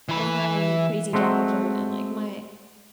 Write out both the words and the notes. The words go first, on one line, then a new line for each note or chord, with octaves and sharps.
I don't have any crazy jobs or and, like, my
E3 B5
G#3 A3 C4 F#4